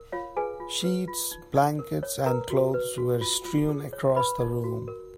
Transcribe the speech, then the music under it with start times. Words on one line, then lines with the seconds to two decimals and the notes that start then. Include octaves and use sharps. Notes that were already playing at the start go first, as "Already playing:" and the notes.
Sheets, blankets, and clothes were strewn across the room.
Already playing: A#4
0.12 F4 C#5 F5
0.37 G#4 B4 G#5
0.60 F4
0.84 B4
1.08 F4
1.31 D#4
1.55 D#4
1.79 A#4
2.03 C#5
2.26 A#4 B4 A#5
2.50 F#4
2.74 B4
2.98 F#4
3.21 F4
3.45 F4
3.69 G#4
3.93 C#5
4.16 D#4 B4 B5
4.40 D#4
4.64 F#4
4.88 A#4